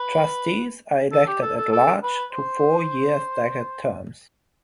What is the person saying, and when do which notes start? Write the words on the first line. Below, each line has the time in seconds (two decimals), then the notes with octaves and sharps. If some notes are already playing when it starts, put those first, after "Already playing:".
Trustees are elected at-large to four-year staggered terms.
Already playing: B4
1.12 A4
1.27 G4
1.42 A4
1.57 A4
1.72 A4
2.03 B4
2.33 C5